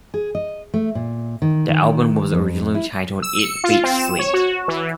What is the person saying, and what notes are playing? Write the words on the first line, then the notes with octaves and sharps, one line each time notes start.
The album was originally titled "It Beats Sleep".
G#4
D#5
A3
A#2
D#3
D#3
F2
E4
E6
C#7
F4
C4
E7
C#5
F#4
E3